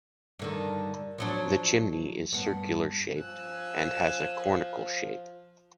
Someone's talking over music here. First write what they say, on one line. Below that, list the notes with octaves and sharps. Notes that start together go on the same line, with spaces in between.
The chimney is circular-shaped and has a conical shape.
G2 D3 D#3
F3 F#3 D4
G2 B3
F3 G#5 E6 F#6